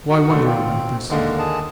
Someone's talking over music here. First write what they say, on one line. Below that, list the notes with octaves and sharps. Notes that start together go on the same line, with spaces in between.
Why wonder about this?
F#4
D3 A3
C4 F4
D#2 D3 G#3 A#3
G#4 A5